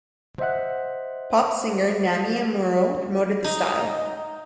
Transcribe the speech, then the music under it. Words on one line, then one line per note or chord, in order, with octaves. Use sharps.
Pop singer Namie Amuro promoted the style.
C5 D#5 E5 F#5 F#6
D#4